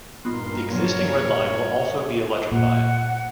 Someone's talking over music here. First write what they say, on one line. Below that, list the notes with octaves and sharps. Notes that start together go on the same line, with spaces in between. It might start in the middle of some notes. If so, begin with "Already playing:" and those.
The existing red line will also be electrified.
G2 A#2 B3 D#4 F4 A#4 C6
D3 F#3 B3 C#5
A#2 F#5